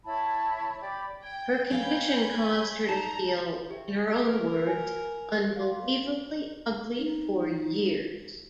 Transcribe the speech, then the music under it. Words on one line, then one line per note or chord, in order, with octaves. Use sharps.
Her condition caused her to feel, in her own words, "unbelievably ugly for years".
E4 C#5 A5 B5
G4 D5 B5
G5 G#6
C#5 F5 G5 G#5 B5 G6 G#6
D#4 A5 A#5
G4 E5
A#4
G#5
F5 C6
D#4